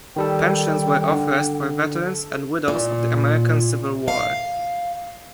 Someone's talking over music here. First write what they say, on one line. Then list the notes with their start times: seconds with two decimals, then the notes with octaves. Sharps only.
Pensions were authorized for veterans and widows of the American Civil War.
0.16 D#3 G3 A4 G5
1.09 D3
1.97 A4
2.68 A#2
4.08 F5